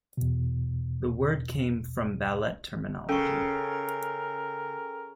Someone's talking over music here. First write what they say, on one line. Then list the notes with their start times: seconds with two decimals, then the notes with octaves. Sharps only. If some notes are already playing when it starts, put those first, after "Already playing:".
The word came from ballet terminology.
0.17 E2 B2
3.09 C#3 C#4 A4 A#4 G5 C#6